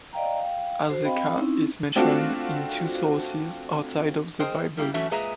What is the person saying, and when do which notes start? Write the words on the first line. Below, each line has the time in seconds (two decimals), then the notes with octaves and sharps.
Azekah is mentioned in two sources outside of the Bible.
0.13 D5 D#5 F5 G5 A#5
0.39 F5 G5
0.90 F#4 C5
1.05 C4 D#5 F5 G5 B5
1.36 C4 C#4 D#4 E4
1.95 A3 C4 D4 F4 F#4
4.40 G#4 A#4 C5 D#5 G5
4.77 G3 A#3 E4 G4
4.94 E3 F#3 A3 C#4 F#4 E5
5.11 A#2 G#3 G#4 B4 E5 A#5